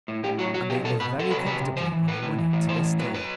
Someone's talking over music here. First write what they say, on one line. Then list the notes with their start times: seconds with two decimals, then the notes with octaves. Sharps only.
And they live very comfortably on the money to this day.
0.08 A2
0.23 A2 G4
0.39 F#3 F#4
0.54 F#3 F#4
0.69 B2 G4
0.85 B2 A4
1.00 B2 B4
1.16 C3 A4
1.31 F#3 B4
1.46 C3 B4
1.61 C3
1.77 E3 C5
1.92 E3
2.08 A2 B4
2.23 A2
2.38 E3
2.53 A2
2.69 E3 C5
2.84 A2
2.99 F#3 B4
3.14 F#3 B4